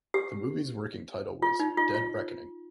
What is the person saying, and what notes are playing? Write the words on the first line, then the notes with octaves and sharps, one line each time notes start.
The movie's working title was "Dead Reckoning".
G4
F4
D#4
F4
F4